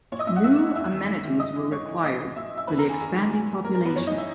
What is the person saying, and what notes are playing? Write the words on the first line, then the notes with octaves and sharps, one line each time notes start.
New amenities were required for the expanding population.
A#2 C#5 C#6
D#5 D#6
E5 E6
F#5 F#6
A#2 E5 E6
E2 E5 E6
D#3
E2
D#3
G#2 D#5 D#6
E3
G#2 C#5 C#6
E3
A#2 D#5 D#6
A#2 E5 E6
E5 E6
E2 B4 B5
A#4 A#5
D#3
G#4 G#5
E2 G#4 G#5
D#3
A#2
A#2 A#4
A#4
B3 B4
F#2 C#4 C#5
D#4 D#5
E3
E4 E5